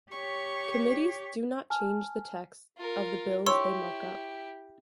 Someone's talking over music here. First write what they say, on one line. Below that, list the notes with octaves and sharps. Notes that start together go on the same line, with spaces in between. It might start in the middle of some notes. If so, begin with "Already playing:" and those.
Committees do not change the texts of the bills they mark up.
G4 C#5 C#6
G#5 A5 F6
F4 A#4
E4 G4 C#5 C6 E6